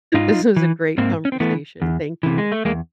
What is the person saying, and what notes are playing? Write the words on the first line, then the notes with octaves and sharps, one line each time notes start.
this is a great conversation. Thank you.
G#2 D#4 F4
E3
G#2 A#3 C4
C#4
C4
E3 A3 B3
E2
C3 E3
G#3
A3
E2 G#3 A#3